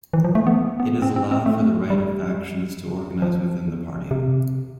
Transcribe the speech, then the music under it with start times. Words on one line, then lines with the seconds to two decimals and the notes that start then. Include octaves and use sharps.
It allowed for the right of factions to organise within the Party.
0.13 E3
0.24 F3
0.35 A3
0.47 B3
0.80 B3
1.02 C4
1.16 C4
1.31 C4
1.46 A3
1.90 G3
3.22 F3
4.11 C3